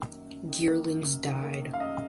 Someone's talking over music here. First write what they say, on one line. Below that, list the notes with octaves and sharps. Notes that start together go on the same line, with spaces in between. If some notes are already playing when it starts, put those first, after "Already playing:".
Geerlings died.
Already playing: F#2 D#3 A#3
F#2
F#2
D#3
A#3
F#2
F#2
D#3
A#3
F#2
F5
F#2 D#5